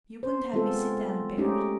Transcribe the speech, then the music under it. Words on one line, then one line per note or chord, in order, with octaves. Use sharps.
You wouldn't have me sit down and bear it.
C5
G#3 B3 C4 F4 A4
G#3 A3 C#4 D#4 G4